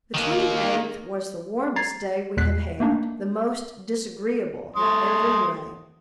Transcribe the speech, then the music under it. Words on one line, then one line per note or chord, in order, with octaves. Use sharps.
The twenty-eighth was the warmest day we have had, the most disagreeable in every way.
D#3 A#3
A#5 G#6 A6 C7
E2 A#2 G#3 F#6 B6 C7
A3 A#3 D4 D#4
A3 C6 D#6